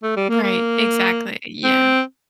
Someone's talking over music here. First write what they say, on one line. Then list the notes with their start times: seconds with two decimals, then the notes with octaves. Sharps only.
Right, exactly, yeah.
0.03 A3
0.16 G3
0.30 A#3
0.43 A#3
1.64 C4